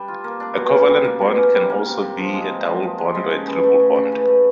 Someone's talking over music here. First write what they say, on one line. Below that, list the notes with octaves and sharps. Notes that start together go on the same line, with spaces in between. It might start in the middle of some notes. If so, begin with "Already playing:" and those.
A covalent bond can also be a double bond or a triple bond.
Already playing: G3 D4
F4
A#3
D4
B2
C#4
G3
A#3
B2
C#4
G3
A#3
C3
C3
F3
G#3
C3
C3
F3
G#3
C#3
C#3
E3
A3
C#3
C#3
E3
A3